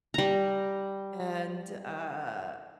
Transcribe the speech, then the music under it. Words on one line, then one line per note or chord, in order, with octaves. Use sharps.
And, uh,
G3 A#5